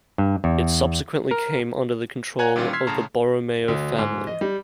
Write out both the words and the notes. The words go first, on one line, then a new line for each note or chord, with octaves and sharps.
It subsequently came under the control of the Borromeo family.
G2
E2
A#4
C#5 F#5 G#5 A#5 F#6 G#6
A#2 D#3 E3 G3 C#4 F4
C6 E6 F6 G#6 B6 C7
A2 C#3 A5 A#5 C6
D2
G#2
D#5
G3